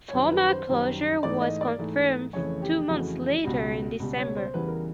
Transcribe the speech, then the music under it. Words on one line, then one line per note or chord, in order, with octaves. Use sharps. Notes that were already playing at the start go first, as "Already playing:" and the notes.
Formal closure was confirmed two months later in December.
C#5
F#2 D#3 G3 C5
B4
C5
F#2 D#3 G3
G#2 E3 A3 D5
D#5
D5
G#2 E3 A3
F2 C#3 E3 A3 C#5
G4
F2 C#3 E3 A3 F#4
C#2 B2 G3 F#4
C#2 B2 G3
C#5
C5
E2 C#3 E3 G3 B4
A#4